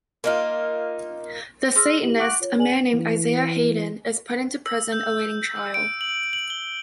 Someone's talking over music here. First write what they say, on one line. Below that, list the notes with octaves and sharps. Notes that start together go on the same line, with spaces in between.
The Satanist, a man named Isaiah Haden, is put into prison awaiting trial.
A#3 D#4 F4
G#4 C6 E6 F6 A#6
E4 G4 F#7
F#5 C#6 D6 F#6 D7 F#7
F4 C#5
G#4 D5 G#5 F#7
E3
E6
G6
E6
D7
F#7
F#7
G7